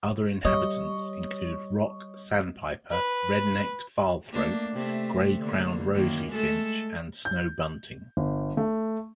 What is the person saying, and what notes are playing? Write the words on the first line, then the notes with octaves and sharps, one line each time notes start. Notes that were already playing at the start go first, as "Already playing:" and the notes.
Other inhabitants include rock sandpiper, red-necked phalarope, gray-crowned rosy finch and snow bunting.
G3 C#5 D#5 C#6
B4
A3 A#3 D4
C3 A3
D3 A#3
F#2 D#3 A#3
G#3 A3 A4
G6
G1
A3